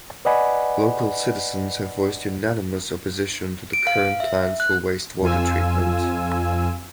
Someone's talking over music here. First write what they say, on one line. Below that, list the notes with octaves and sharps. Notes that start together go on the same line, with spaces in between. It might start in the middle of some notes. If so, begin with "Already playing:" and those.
Local citizens have voiced unanimous opposition to the current plans for wastewater treatment.
B4 D5 D#5 F#5 G#5 B5
D7
F5
E5
F#6
F2 F4 G#5 E6